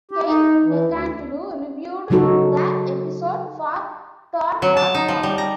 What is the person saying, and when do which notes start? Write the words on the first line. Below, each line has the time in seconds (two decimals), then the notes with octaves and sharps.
Keith DeCandido reviewed the episode for Tor dot com.
0.11 G4
0.27 D#4
0.65 E3
0.88 D2
2.10 C#3 F#3 D#4 F#4 A4
4.62 F#3
4.77 A5
4.94 D#4
5.08 F3
5.23 G3
5.38 A#5